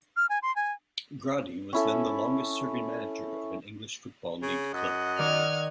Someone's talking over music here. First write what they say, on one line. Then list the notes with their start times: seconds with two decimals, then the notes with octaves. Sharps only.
Gradi was then the longest serving manager of an English football league club.
0.16 F6
0.29 G#5
0.42 C6
0.56 G#5
1.73 C#4 E4 A4
4.42 C#3
4.74 F#2 D#5 F#5
5.19 D#3 D5 F6 G#6